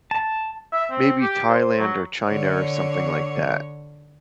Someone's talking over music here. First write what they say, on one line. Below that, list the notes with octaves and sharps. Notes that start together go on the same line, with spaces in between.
maybe Thailand or China or something like that.
A5
E5
C4
G4
C5
F#3
D3 C#5